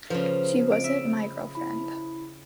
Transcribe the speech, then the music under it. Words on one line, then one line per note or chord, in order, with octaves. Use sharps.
She wasn't my girlfriend.
C#3 F3 A4 B4
C4 D7
E5
B5
E4 B5